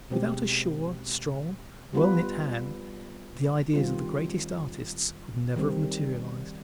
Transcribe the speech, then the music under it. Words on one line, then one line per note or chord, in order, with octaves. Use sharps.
Without a sure, strong, well-knit hand the ideas of the greatest artists could never have materialized.
B2 G#3 C4 G4
G3 B3 F4 B4
D#3 G3 C4 F4
D#3 G3 C4